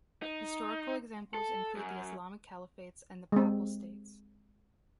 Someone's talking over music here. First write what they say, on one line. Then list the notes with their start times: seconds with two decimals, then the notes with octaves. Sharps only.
Historical examples include the Islamic Caliphates and the Papal States.
0.22 D#4
1.34 A4
1.77 F#2
3.32 G#3 C4